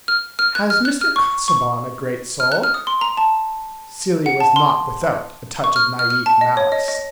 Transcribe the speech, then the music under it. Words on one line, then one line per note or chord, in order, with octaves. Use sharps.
"Has Mr. Casaubon a great soul?" Celia was not without a touch of naive malice.
F6
F6
F#6
F6
F#6
F6
C#6
C#6
F6
F#6
F6
D#6
C6
A#5
A5
F#5
A5
C6
C#6
F6
F6
F6
A5
D#5
C#5
D#5
D#5